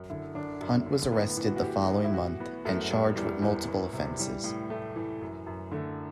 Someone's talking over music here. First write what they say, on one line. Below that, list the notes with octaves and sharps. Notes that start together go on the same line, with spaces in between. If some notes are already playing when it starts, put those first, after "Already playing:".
Hunt was arrested the following month and charged with multiple offenses.
Already playing: F#2
D3 E4
D3 D4
F#2
D3
A2 B3
B3
E3
F#4
F#4
E3 G4
A2
E4
E3 F#4
E3 B3
F#2 A3
F#2 G3
E2 G3
E2
E2
C3
E3 G3
A2
A2 A3
E3
F#2
F#2
D3 A3